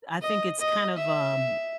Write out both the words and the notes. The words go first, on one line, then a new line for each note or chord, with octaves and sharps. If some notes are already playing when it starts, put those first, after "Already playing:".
I think it's kind of, um d
D#5
D#5
E5